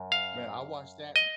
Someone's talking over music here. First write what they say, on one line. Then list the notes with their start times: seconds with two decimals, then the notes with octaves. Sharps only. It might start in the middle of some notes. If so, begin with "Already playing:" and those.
Man, I watched that
Already playing: F#2
0.12 F5
1.16 D#5